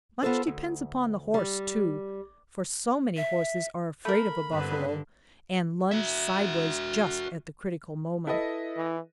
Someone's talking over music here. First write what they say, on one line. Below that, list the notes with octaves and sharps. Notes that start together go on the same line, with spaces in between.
Much depends upon the horse, too, for so many horses are afraid of a buffalo, and lunge sideways just at the critical moment.
B3 F4 A4 C5
D2
G3
E5
A3 A#4 B5
G2 D3 B3 C4 B4
F#4 E5
E4 A4 B4 D#5
E3